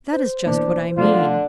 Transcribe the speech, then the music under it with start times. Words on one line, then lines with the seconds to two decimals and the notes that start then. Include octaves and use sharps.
"That is just what I mean."
0.13 C5
0.46 B2 E3 A#3 D4
0.97 B2 D3 F3 A3 D4 F4